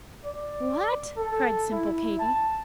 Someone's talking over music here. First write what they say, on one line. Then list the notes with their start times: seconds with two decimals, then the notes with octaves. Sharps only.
"What!" cried simple Katy.
0.25 D5
1.17 A4
1.72 E4
2.19 A5